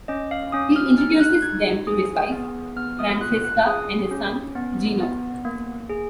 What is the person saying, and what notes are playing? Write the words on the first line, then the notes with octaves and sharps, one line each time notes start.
He introduces them to his wife, Francesca and his son, Gino.
C#4 D#5
F5
C#4 D#6
F6
D#4 F6
F#6
D#4 G#6
G#4 D#6
B3
B3 F6
D#6
F4 F#6
F#6
G#4 D#6
C#4
B3
B3
A#3
G#4